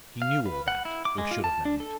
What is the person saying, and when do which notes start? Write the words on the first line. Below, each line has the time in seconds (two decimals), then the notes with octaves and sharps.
He knew all that, or should have known it.
0.22 F5
0.46 B4
0.68 F#5
0.85 E4
1.05 D6
1.18 G#3
1.31 F4
1.44 A5
1.65 D4
1.80 A4